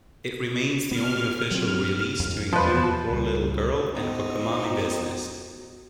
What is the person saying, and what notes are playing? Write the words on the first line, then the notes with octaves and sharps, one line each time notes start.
It remains the only official release to include "Poor Little Girl" and "Cockamamie Business".
B3 F6
F#3 C4
F2
E2 F3 B4 A5
C#2 G3
B3 C4 D#4 F#4